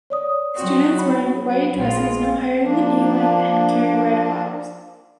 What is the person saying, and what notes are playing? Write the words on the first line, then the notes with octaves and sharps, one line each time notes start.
Students wear white dresses no higher than knee length and carry red flowers.
C#5 D5 D#6
F#3 C4 F#4
F#3 B5
A#1 G#3 F4
F3 A#3 D4